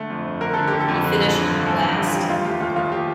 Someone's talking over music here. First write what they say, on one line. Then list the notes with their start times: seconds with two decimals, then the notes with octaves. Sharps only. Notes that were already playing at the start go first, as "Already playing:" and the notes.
He finished last.
Already playing: D3 A3
0.10 F2
0.25 G1
0.41 D3 A#4
0.53 D3 A4
0.67 G4
0.73 D3
0.80 A4
0.88 F2
1.04 D3
1.19 A1
1.35 D3
1.51 G2
1.66 A1 A4
1.82 G2
1.97 A1 G4
2.07 F4
2.13 G3 G4
2.29 A3 F4
2.45 D#2 G4
2.60 D#2 F4
2.76 D#2 F4
2.92 G4